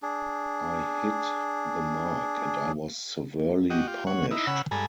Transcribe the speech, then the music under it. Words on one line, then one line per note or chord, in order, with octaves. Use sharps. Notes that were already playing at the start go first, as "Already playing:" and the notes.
I hit the mark and I was severely punished.
D4 G#4
F#4 G4 D#5
F4 G4
C#5 F#5
D#4 E4
C#3 F#5 B5 E6
G2 G#3 A4 G#5 A#5 B5